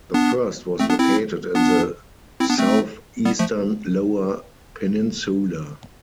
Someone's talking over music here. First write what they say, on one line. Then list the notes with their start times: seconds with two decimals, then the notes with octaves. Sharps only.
The first was located in the southeastern Lower Peninsula.
0.14 B3 D4
0.80 A3 C4
0.90 B3 D4
0.99 C4 E4
1.55 B3 D4
2.40 C4 E4
2.50 B3 D4
2.59 A3 C4
3.25 G3 B3
3.39 F3 A3